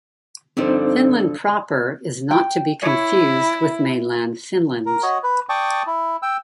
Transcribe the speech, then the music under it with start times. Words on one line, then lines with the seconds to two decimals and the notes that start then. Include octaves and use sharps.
Finland Proper is not to be confused with Mainland Finland.
0.57 G2 D3 F3 C4 D#4 C5
2.31 G5
2.83 E4 C#5
4.86 A#4
5.03 F#4 C#5 D#5
5.23 B4
5.49 D5 G5 A5 C#6 D#6
5.87 E4
6.22 G5 E6